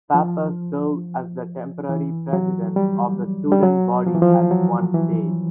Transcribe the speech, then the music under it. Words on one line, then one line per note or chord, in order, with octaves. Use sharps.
Pappas served as the temporary president of the student body at one stage.
F3
E3
F#3
G3
G3
F#3
F3
E3
F3
F#3
E3